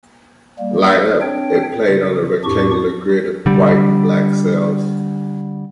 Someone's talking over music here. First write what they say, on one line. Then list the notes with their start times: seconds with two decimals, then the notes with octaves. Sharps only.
"Light Up" is played on a rectangular grid of white and black cells.
0.59 G3 A#3
1.21 C4 D4 C#5 G5
1.86 C#3
2.44 F2 A2 D4 G4 C#6
3.46 D3 G3